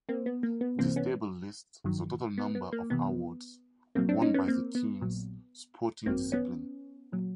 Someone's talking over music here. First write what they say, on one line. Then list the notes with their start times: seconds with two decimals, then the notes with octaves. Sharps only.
This table lists the total number of awards won by the teams sporting discipline.
0.09 A#3 C4
0.26 B3
0.43 A#3
0.61 B3
0.78 C#2 C3 E3 A#3 C4
0.96 B3 C#4
1.84 G1 G2 D#3 F#3
2.38 B3
2.55 B3
2.72 A#3
2.90 C2 C3 E3 B3
3.95 B1 A2 F#3 A#3 C4
4.09 C4 D4
4.22 C#4 D#4
4.34 B3 C#4
4.48 A#3 C4
4.75 B3
5.01 A#1 A#2 F#3
6.06 G#1 F#2 D#3 F#3 A#3 C4
6.32 B3 C#4
7.12 A#2 F#3